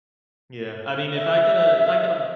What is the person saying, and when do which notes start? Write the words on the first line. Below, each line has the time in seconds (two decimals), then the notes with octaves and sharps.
Yeah. I mean, if I get a if I get, uh,
1.16 E5